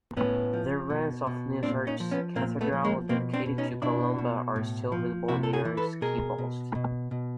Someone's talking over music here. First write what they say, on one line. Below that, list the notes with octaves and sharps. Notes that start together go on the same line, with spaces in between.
The ruins of Snizort Cathedral, dedicated to Columba, are still visible near Skeabost.
A2 B3 C#4
F3
B2
B2
A#2 C4 D4
C#4 D#4
F3
B3 C#4
A#2 A#3 C4
A3 B3
F3
G#3 A#3
B2 A#3 C4
C4 D4
B2
C#4 D#4
B2 D4 E4
B2
A2
F3
C3 E4 F#4
A4
F#4 G#4
E3
A4 B4
B2 G#4 A#4
B2
B2
B2